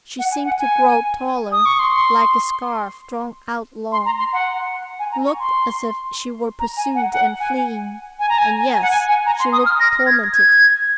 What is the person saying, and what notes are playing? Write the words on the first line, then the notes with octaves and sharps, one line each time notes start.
She seemed to grow taller, like a scarf drawn out long; looked as if she were pursued and fleeing, and--yes, she looked tormented.
F#5
G#5
F#5
G#5
D#6
C#6
C6
C6
A#5
C6
F#5
G#5
A#5
C#6
C6
A#5
G#5
F#5
F#5
G#5
G#5
A#5
G#5
G#5
F#5
G#5
G#5
A#5
C6
D#6
F6
A#6
G#6
G#6